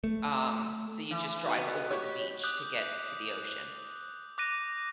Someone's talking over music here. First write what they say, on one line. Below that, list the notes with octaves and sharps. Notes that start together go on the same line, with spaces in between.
um, so you just drive over the beach to get to the ocean,
A3
E3
B3 D#4 F#4
F#4 G4 C#5
D6 D#6 F#6 G6
D6 F#6 A#6 D#7